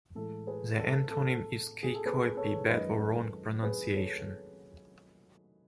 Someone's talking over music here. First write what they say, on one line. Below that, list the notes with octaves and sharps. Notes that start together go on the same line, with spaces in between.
The antonym is "cacoepy" "bad or wrong pronunciation".
A2 E3 G#3 A4
G#4 B4
A4
A4
G#4
A4
G#4 B4
A4 C#5
F#2 D#3 G#3 B4 D#5
A4
G#4 B4
A4 C#5